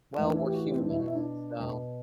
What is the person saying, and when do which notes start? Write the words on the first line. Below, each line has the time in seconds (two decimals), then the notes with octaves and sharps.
Well, we're human, so
0.18 A2 E3 E4
0.28 D4
0.36 E4
0.45 G4
0.53 F#4
0.63 G4
0.71 C4
0.80 D4
0.89 B2 E4
0.99 F#4
1.07 E4
1.15 D4
1.60 B2